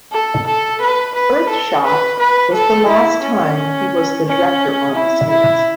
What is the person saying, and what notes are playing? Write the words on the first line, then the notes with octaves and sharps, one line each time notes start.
"Earthshock" was the last time he was a director on the series.
A4
A4
B4
B4
A4
B4
B4
A4
E4
C#4
C#4
E4
E4